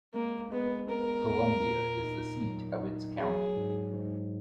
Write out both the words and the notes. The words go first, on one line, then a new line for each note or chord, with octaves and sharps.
Columbia is the seat of its county.
G#3 A#3
G#3 B3
B3 A#4
E2
A#2
D#4
F#3
D#4
F#3 G#4
G#2
G#2